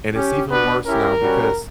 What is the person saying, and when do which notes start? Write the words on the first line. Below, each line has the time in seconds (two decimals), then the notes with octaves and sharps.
And it's even worse now because
0.14 C#4 G4
0.50 B3 D4 F#4 B4
0.85 C#4 E4 G4 A#4
1.22 G3 C#4 F#4